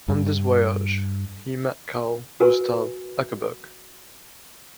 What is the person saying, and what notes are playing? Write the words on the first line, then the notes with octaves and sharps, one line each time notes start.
On this voyage he met Carl Gustaf Ekeberg.
G2
F#4 A#4 B4 G#5